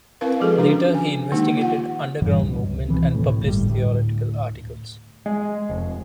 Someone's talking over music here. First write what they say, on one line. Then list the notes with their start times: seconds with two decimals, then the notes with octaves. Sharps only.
Later he investigated underground movement and published theoretical articles.
0.21 C4 E4 A#4 B4 F5
0.40 F3 G#3 F#4 G#4 A4
0.58 F3 G#3 C#4 D4 F#4
0.95 G#5
1.32 D#3 G#3 A#3 D#4 G4
1.57 F4 F#5
2.22 G2 A#2 E3 G3
2.43 C#2
2.88 B2 E3 C4
3.15 D2 A2
3.43 G1 A2 G3 A3
3.66 D2 A2
5.26 G#3
5.70 F1